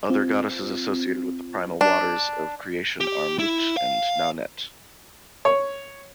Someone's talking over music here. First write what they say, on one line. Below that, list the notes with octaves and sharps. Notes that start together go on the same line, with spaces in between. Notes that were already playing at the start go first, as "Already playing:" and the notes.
Other goddesses associated with the primal waters of creation are Mut and Naunet.
C4 F4
D4
G4
E4
F5
C#5